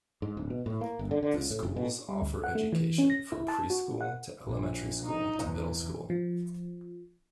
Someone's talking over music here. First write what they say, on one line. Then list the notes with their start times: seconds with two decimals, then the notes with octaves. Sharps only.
The schools offer education from Preschool to Elementary School to Middle School.
0.22 G#2
0.37 D1
0.50 B2
0.66 A2
0.81 A#3
0.99 G1
1.11 D3
1.23 D3
1.34 C#2
1.50 A2
1.63 F#1
1.76 B2
2.09 G3
2.22 D2
2.44 F#5
2.55 A3
2.73 E3
2.98 C#4
3.10 A#6
3.32 E4
3.48 A5
3.70 F#4
4.01 F#5
4.45 A#1
5.06 D#4
5.45 E2
6.10 F3